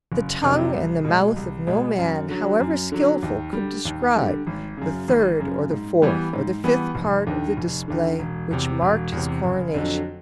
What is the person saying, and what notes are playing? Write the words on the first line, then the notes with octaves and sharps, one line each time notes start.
The tongue and the mouth of no man, however skilful, could describe the third, or the fourth, or the fifth part of the display which marked his coronation.
F#1
F2 C3 D#3 F#3
C2
B2 G#3
C2
B2 G#3
F#2
D3 F#3
F#2
D3 F#3
D#2
D3 G3
D#2
D3 G3
G#1
F#2 C#3
G#1
F#2 C#3
G#2
E3 G3 B3
G#2
E3 G3 B3
F1
D#2 D3
F1
D#2 D3
E1
E2 C3
E1
E2
C3
F#1
F2 D3 F#3